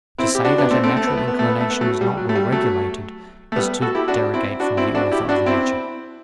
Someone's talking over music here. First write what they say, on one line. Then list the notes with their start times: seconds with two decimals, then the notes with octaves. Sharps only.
To say that a natural inclination is not well regulated, is to derogate from the Author of nature.
0.18 C4 E4
0.35 G4
0.45 D4 F#4
0.58 B3 D4
0.71 A3 C4
0.83 A3 C4
0.97 A3
1.07 B3
1.17 A3
1.28 B3
1.39 A3
1.49 B3
1.61 A3
1.70 B3
1.81 F#3 A3
2.01 G3
2.17 F#3
2.29 A3
2.35 G3
2.52 F#3 A3
3.52 A3
3.56 G3 B3
3.82 F#4 A4
3.95 E4 G4
4.08 D4 F#4
4.34 C4 E4
4.60 D4 F#4
4.77 C4 E4
4.95 D4 F#4
5.11 E4 G4
5.29 D4 F#4
5.46 C4 E4